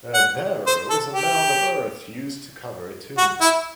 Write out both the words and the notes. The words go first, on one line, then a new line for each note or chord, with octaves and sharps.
A barrow is a mound of earth used to cover a tomb.
F#5
C5
A4
G4
F#4
E4